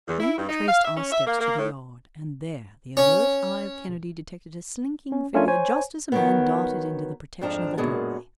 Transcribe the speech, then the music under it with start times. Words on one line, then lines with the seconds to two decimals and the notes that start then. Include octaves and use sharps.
We retraced our steps to the yard, and there the alert eye of Kennedy detected a slinking figure just as a man darted into the protection of a doorway.
0.08 E2
0.20 E4
0.37 G2
0.49 D#4
0.67 F5
0.85 E5
0.97 C#4
1.12 E5
1.27 A#3
1.39 A#3
1.58 A2
2.97 C#4
5.12 C#4
5.34 A3 C#4 D4 F4 A#4 G#5
5.48 C5 C#5 G#5
6.12 D#3 F#3 B3
7.41 F2 G#2 F3 D4 A5 A#5
7.77 F#2 A#2 G#3 B3 G#4 A5